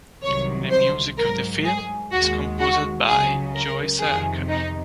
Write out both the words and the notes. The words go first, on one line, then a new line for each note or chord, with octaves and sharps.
The music of the film is composed by Joy Sarkar.
C2 C3 D#3 F#3 C#5
C5
G#2 F#3 A#4
G#4
D#2 D#3 G#3 F#4
F#4
C#2 C#3 F#3 G#4
A#4
F2 C3 D#3 G#4
D#4